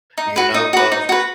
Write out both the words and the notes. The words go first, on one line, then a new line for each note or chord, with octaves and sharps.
you know, uh,
D#4
F#4 B4
D#4
F#4 B4
D#4
F#4 B4